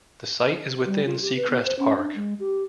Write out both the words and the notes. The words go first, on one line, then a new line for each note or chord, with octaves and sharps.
The site is within Seacrest Park.
G3
F4
G4
B4
B3
C5
C#4
D4
G#3
G4